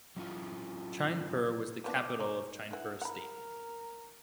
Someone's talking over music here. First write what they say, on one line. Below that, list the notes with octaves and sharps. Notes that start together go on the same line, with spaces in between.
Chainpur was the capital of Chainpur Estate.
F#3 C#4 E4 F4
F3 B3 D4 D6
D#4 C#5
D3 E3 F#5
A#4 F#5 B5